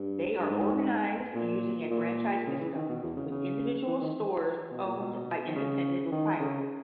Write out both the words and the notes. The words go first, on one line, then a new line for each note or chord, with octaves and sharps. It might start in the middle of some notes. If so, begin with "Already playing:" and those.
They are organized using a franchise system, with individual stores owned by independent proprietors.
Already playing: G2
G2
G#2
A#2
A#2
C#3
E3
D#3
B2
E2
C#3
C#3
E3
D#3
B2
A#2
B2
D#3
C#3
E3
D#3
C#3